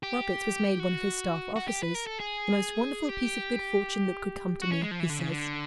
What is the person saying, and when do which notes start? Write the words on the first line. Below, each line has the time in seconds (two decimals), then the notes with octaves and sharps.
Roberts was made one of his staff officers--"the most wonderful piece of good fortune that could come to me," he says.
0.03 G4
0.79 F#4
1.56 F#4
1.68 G4
1.83 B4
1.95 A#4
2.07 A4
2.20 G#4
3.09 G4
4.62 F#4
4.71 C#4
4.82 G#3
4.91 F3
5.00 E3
5.09 D3
5.19 C#3
5.29 D3